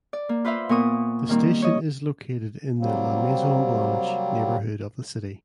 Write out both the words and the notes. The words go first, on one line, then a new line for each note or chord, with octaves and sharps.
The station is located in the "La Maison Blanche" neighbourhood of the city.
D5
A#3
F4 B4 C5 E5 F5
A#2 A#3 B3 A#4 C#6 D#6
D#3 G3 A#3 C4
C#5 D#5
C3 F#3 G3 A#3 C4